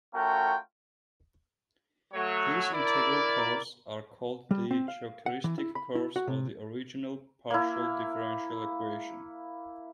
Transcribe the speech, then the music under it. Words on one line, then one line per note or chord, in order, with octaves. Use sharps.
These integral curves are called the characteristic curves of the original partial differential equation.
A3 C#4 F4 F#4 A#4 G5
F#3 A3 C#5
E4 A#4 D5
G3
C4
F5
F#5
E3
E4
B5
E4
F#4
C3
A#3 E4